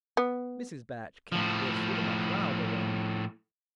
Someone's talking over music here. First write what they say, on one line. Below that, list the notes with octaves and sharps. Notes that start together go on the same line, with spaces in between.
Mrs. Batch capped this with a much louder one.
B3
A2 F3